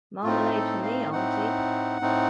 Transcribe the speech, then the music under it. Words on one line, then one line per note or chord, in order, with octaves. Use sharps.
Marmalade for me, auntie.
A2 A3 C4 D#4 F4
A4
F5
A2 A3 C4 D#4 F#5
A2 A3 C4 D#4